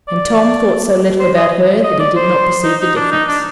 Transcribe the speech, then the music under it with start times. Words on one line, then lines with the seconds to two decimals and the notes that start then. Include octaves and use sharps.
And Tom thought so little about her that he did not perceive the difference.
0.08 D5
1.20 C5
1.36 D#5
1.84 D#5
1.99 D5
2.16 C5
2.63 D#4
2.80 D#4
2.96 D4
3.11 D#4
3.28 D4